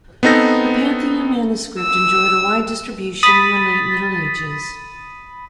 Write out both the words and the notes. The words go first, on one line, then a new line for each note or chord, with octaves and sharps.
The Pantheon manuscript enjoyed a wide distribution in the late middle ages.
B3 C4 D#4 A4 A#6
E6
B5 D#6 A6 B6